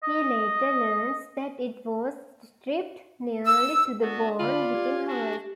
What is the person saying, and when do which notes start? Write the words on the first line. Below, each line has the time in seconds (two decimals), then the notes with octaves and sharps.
He later learns that it was stripped, nearly to the bone, within hours.
0.03 D#5
3.45 E6
4.02 B3 D4 F#4
4.39 D3 F4 D5 B5
4.74 G4 G#6
5.07 D4 F#4 G#5